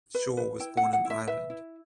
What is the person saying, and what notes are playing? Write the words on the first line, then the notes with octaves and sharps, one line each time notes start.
Shaw was born in Ireland.
B4
B4
E4 G5
F#5
E4
F#5
E4
E5
B4 E5
E4